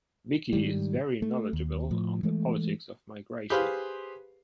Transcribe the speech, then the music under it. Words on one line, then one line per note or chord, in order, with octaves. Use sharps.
Vicky is very knowledgeable on the politics of migration.
G#2 D#3 G3
A3
D#2
A2 F3
E3 G#3 A3
G4 G#4 B4 C5 F5